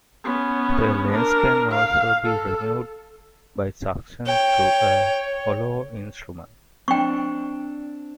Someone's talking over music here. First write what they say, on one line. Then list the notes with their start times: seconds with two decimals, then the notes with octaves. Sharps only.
The lens can also be removed by suction through a hollow instrument.
0.24 B3 C#4
1.11 D4 A#4
1.72 F5
2.24 A4
4.27 C#5 G5
6.88 C4 D4 G5 C#6